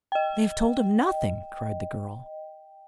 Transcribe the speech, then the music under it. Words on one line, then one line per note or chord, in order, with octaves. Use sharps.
"They have told him nothing!" cried the girl.
D#5 G5